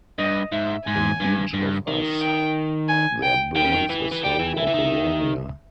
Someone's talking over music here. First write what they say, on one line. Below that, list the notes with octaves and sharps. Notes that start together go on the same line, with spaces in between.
In each of us there burns a soul of a warrior.
G2 D#5
G#2 E5
G#2 G#5
G2
G2
D#3
G5
G#5
G5
D#3 G5
C#3
D#3
E3
E3
G3 G5
E3
E3 E5
E3
D#3